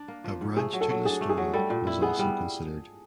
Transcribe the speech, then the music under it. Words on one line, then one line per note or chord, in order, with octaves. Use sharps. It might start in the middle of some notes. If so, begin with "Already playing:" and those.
A branch to Listowel was also considered.
Already playing: D4
A#3
F3
G#2
A3 G#4
F#3
A4
F#3
D4 G#4
A3
G#4
F#3
G3 A4
A#2
E4
B3 G#4
G3